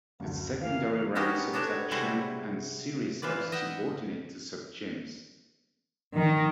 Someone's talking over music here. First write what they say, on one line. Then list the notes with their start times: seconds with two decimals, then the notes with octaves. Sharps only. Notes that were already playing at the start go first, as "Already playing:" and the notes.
The secondary ranks of section and series are subordinate to subgenus.
0.20 F#1 D2
0.61 E3 A#3 F5
1.15 B3 C#4 D#4 F#4 G4 A#4
1.53 B3 D4 F#4 G4 A4 C#5
1.91 C3 G3 G#3 E4 F#4 G#4
3.22 E3 F4 B4 D5
3.52 D#5 E5 F#5 G5
6.16 D#3